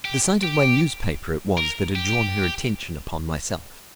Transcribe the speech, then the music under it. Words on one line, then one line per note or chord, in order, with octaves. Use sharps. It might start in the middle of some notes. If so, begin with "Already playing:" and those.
The sight of my newspaper it was that had drawn her attention upon myself.
G4
G4
A#4
G4